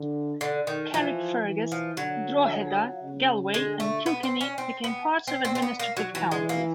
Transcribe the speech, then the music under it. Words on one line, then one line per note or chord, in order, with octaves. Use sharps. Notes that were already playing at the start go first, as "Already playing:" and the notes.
Carrickfergus, Drogheda, Galway and Kilkenny became parts of administrative counties.
Already playing: D3
D3
D#3
E3 F3
E3
F3
D3 F#3
C#3
D3 G#3
A3
B3
C4
C#4
C4
B3
C4
C4
C4
B3
A#3
F#3
E3 F#3
G#3
A#3